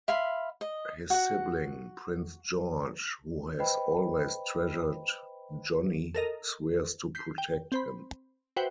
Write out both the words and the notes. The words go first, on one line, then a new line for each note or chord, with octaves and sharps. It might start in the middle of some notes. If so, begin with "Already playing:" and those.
His sibling, Prince George, who has always treasured Johnnie, swears to protect him.
E5 F5 B5 C6
D#5
F#4 F#5
B4 C5 D#5 G5 B5
A4 A#4 D#5
G6 B6 C7
G5
C4 C5 B5
F#4 B4 C5 E5 F#5 G5